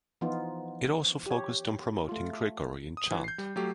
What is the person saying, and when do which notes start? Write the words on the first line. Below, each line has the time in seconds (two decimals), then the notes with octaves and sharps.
It also focused on promoting Gregorian Chant.
0.21 E3 F3 B3 D#4 F4
1.26 G4 C#5
2.09 A3 F4
2.97 D#6
3.11 E3
3.24 G6 C7
3.38 G3
3.56 F#3 A3 G4